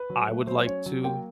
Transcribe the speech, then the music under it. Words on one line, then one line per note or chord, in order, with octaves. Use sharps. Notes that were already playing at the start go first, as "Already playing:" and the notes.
I would like to,
Already playing: B4
F#3
A3
F#3 C5
C#4 C#5
F#3
A#3 G5